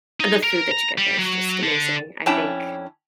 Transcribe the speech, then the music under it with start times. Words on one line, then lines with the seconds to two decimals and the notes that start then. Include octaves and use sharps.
the food that you get there is just amazing, I think.
0.20 D#4
0.43 A#4
0.71 A#5
0.98 G3
1.19 F#3
1.63 D3
2.26 F2 C#4 D4 E4 G5 A5